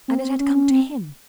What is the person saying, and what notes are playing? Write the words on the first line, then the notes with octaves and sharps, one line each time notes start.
And it had come to him!
C4
C#4
C4